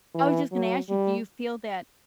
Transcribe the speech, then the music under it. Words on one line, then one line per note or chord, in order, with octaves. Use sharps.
I was just gonna ask you, do you feel that
E3
F#3
G3